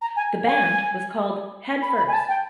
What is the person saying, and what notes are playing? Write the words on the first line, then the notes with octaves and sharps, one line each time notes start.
The band was called "Head First".
A#5
G#5
G#5
B5
B5
G#5
A5
G5